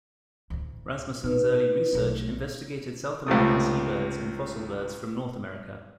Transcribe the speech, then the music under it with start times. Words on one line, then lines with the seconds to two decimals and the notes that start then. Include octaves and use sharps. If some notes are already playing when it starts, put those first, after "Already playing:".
Rasmussen's early research investigated South American seabirds and fossil birds from North America.
0.50 D2 A2
1.24 A#2 D#4 B4
1.93 B1 A3
3.27 C#2 C3 A3 D#6